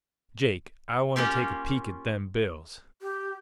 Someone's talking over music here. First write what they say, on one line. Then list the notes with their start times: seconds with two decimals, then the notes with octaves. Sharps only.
"Jake, I wanta take a peek at them bills."
1.16 A#3 C#4 F4 G4
3.02 G4